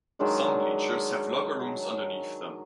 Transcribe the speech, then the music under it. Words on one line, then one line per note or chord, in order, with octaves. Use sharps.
Some bleachers have locker rooms underneath them.
D#3 F#3 G#3 D4
F#3